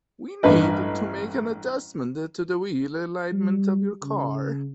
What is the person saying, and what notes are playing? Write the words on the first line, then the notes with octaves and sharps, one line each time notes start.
We need to make an adjustment to the wheel alignment of your car.
A1 G2 B4 D#5
G3
C#3